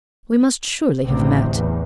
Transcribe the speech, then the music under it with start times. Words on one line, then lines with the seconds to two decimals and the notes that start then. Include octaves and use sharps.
'We must surely have met.
1.03 A1 D2 C3
1.51 E2